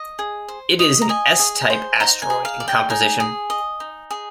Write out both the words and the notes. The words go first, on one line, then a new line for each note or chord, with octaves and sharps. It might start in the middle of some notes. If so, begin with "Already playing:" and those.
It is an S-type asteroid in composition.
Already playing: D#5
G#4
C5
D#5
A#5
D#5 G#5
G#4
C5
D#4 A#5
G#5
G#4
F5
D5
G5
D#4 G#5
G#4
D#5
D#4
G#4